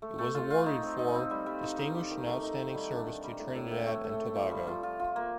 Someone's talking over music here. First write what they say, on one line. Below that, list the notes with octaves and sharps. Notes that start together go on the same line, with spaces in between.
It was awarded for: distinguished and outstanding service to Trinidad and Tobago.
A3
A3
F4
F4
D#4
C4
D#4
C4
G3
G3
D#4
D#4
G4
D#3
A3
D#4
D#3
G3
D4
D#3
G3
A2
A2
A2
A3
A3
A3
F3
G3
F4
F4
F4
A#3